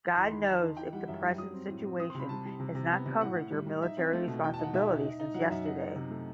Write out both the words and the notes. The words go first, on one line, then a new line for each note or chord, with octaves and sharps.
God knows if the present situation has not covered your military responsibility since yesterday.
E2 C6
D#3 B5
D#4 A5
D#4
E3 G5
G3 F#5
F#2 E5
G3
F#3 D#6
C4
A2
C4
C4 D#6
C6
C3 B5
G3 A5
G3
C3
C3
B3
C3
A2 F#5
A2
G3
G3
D#4 E5
C4
A3
B2
E2 G5
A5
D#4 F#5
B2 E5
D#4
D#4
D#4
F#3 F#5
F#2 E5
D#4 F#5
D#4
C3
A3